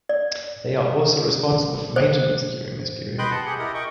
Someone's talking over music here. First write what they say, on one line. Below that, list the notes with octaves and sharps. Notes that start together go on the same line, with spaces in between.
They are also responsible for maintenance during this period.
D5
C5
B4 D#5 G5 C6 F#6
D#5 F#5 A5
G4 G#4 F#5
E4 G4 A#4 D#5
D#5 G5 C#6